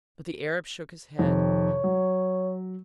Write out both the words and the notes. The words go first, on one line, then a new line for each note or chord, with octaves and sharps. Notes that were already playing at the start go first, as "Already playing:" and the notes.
But the Arab shook his head.
F2 C3 D#3 C#5
F#3